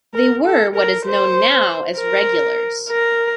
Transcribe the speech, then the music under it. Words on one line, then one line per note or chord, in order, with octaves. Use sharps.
They were what is known now as "regulars".
A#4
A4
A#4
C5
A#4
A#4